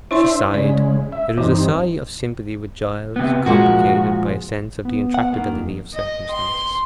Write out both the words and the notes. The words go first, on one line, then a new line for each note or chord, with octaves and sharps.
She sighed; it was a sigh of sympathy with Giles, complicated by a sense of the intractability of circumstances.
D4 E4 C5 C#5 E5 C6
C#3 G#3 D5
E5
G2 E3 C4 D#4
C3 B3
A#2 F3 G#3 F#4
B3
F#5
D#2 D#3 A#3
F2
D#5
C6